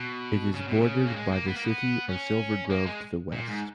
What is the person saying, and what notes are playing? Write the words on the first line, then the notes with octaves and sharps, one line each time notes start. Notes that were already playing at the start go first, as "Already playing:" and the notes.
It is bordered by the city of Silver Grove to the west.
Already playing: B2
C#3
B2
C#3
A#3
G#3
A#3
B3
A#3
B3
C#4
A#3
G#3
A#2
G#2